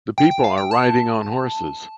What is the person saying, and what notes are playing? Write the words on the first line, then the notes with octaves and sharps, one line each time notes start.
The people are riding on horses.
G5
G5
F5
G5
A5